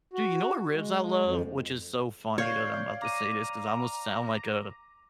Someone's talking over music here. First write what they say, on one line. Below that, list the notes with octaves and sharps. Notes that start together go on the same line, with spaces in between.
Dude, you know what ribs I love? Which is so funny that I'm 'bout to say this, 'cause I almost sound like a
F#4
G#3
F2
C#5 D5 F5 G6 C7
A#5 D6 D#7